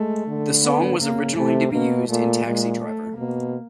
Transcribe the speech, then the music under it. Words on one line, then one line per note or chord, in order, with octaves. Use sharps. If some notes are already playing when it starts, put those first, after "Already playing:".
The song was originally to be used in "Taxi Driver".
Already playing: G#3 A3
D3
B3
C#3 A#3
C3 A3
B2 A#3
A#2 A3
A#2 G#3
A3
B2 A#3